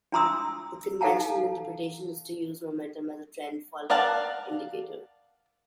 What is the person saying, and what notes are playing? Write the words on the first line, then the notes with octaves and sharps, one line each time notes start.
The conventional interpretation is to use momentum as a trend-following indicator.
D4 F4 A#5 C6 D#6 E6
D#4 A4 F5 F#5 A5 A#5
A#4 D5 F5 F#5 A5